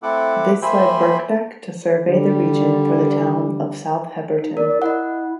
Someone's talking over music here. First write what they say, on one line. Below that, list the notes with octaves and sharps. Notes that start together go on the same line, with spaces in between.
This led Birkbeck to survey the region for the town of South Heberton.
A3 C4 E4 A4 F#5 D6
A#3 C5 E5 G5 G#5 B5
D3 G3
D#4
A#4 D5
D5
E4 D#5 F#5